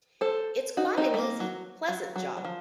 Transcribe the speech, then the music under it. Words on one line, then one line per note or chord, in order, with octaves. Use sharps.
It's quite an easy, pleasant job.
A4 C5
D#4 F#4
C4 D#4
A3
A#3
F#3
F#3
F#3
F#3
F3